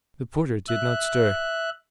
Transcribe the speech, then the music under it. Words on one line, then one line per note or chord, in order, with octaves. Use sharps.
The porter did not stir.
E5 F#6